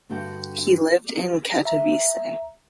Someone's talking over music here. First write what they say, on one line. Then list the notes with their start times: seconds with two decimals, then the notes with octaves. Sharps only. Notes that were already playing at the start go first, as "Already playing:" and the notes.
He lived in Katowice.
0.10 G2 D3 F#4 F#5 G5 A5
1.65 E5 A#5